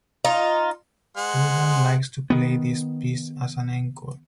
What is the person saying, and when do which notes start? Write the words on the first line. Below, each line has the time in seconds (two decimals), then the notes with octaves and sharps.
Turban likes to play this piece as an encore.
0.25 D#4 F4
1.17 G#3 C5 F#5
2.30 D#3 B3